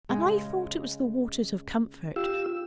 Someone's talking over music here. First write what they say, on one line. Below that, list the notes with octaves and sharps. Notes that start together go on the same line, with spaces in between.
And I thought it was the waters of comfort.
C#3 G#3
F4 G4 E6